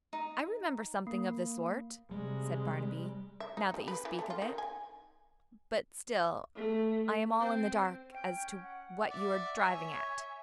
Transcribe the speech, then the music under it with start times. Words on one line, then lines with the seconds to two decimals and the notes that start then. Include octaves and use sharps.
"I remember something of the sort," said Barnaby, "now that you speak of it, but still I am all in the dark as to what you are driving at."
0.13 D#4
1.07 A#3
2.11 C3 G3 G#3
3.40 E5
3.57 D#4
3.74 G3
3.88 B4
4.05 E3
4.19 A3
4.30 F4
4.42 D#3
4.58 G#5
6.56 A3
7.40 C4
8.13 C#4 G5
8.62 F#5
9.11 D5 E5
9.56 C#5 G#5